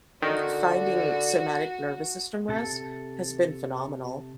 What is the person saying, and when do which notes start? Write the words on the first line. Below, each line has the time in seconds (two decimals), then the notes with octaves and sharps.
F finding somatic nervous system rest has been phenomenal.
0.22 D3 D#3 F#4
2.49 C3 A4